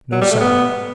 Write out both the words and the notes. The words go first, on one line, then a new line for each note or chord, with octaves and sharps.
No sound.
F#3
G3
A3
B3